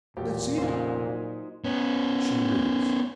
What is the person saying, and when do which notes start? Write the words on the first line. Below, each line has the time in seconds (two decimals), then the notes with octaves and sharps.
Let's see it.' She reads.
0.17 E1 B1 A#2 G4
0.58 F1 C#3 D#4 C5 F5
1.05 F#3
1.64 B3 C#4